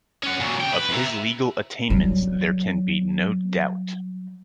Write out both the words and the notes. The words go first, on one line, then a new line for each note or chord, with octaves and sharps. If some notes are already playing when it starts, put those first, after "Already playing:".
Of his legal attainments there can be no doubt.
C#4 F#5
A#2 F#3
C3 G5
B4
E5 A#5
F#3 G3